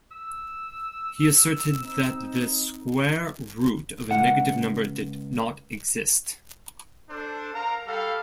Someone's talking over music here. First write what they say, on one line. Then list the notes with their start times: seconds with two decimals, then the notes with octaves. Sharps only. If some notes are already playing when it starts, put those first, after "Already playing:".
He asserted that the square root of a negative number did not exist.
0.11 E6
1.81 C4 D#4
4.09 C#2 F#5
7.09 D4 A4 C5
7.53 A#4 F5 A#5
7.87 G3 A4 F5